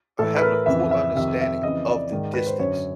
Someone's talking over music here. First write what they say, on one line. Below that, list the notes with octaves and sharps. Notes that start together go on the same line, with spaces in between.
or having a full understanding of the distance
A2 E3 A4
B4
A#4
F2 C#3 E3 E5
E5
F2 C3 D#3 E5
E5
F2 C#3 E3 D#5
D5
G#2 D#3
B4
C5
F#2 D3 C#5